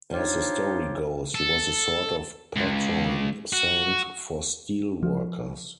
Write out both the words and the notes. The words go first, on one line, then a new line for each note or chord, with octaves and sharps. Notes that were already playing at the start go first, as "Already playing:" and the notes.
As the story goes, he was a sort of patron saint for steel workers.
F3 D4 D#4 F4 G4 C#5
A4
C#2
F#4
F3